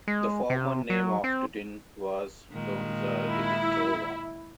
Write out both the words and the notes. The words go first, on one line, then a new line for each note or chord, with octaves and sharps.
The former name of Tutin was Donja Dimitrova.
G#3
C3
F#3
C4
A#2 D#3 G#3
E4